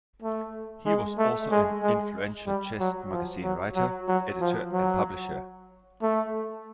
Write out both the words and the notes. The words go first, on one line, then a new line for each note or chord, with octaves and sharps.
He was also an influential chess magazine writer, editor, and publisher.
A3
G#3
A3
G#3
G#3
G3
F#3
F3
F#3
F#3
F#3
F3
F#3
A3